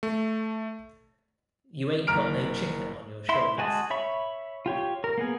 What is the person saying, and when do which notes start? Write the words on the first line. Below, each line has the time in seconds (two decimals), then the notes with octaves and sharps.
You ain't got no chicken on your shoulders.
0.03 A3
2.07 F#1 A#5 F6 D7
3.29 E4 E5 C6
3.58 G#3 F#4 G#5 A5 D#6
3.90 C#5 E5 B5 C#6
4.66 F4 G4 C#5
5.04 A#4
5.18 A#3 B3 G#4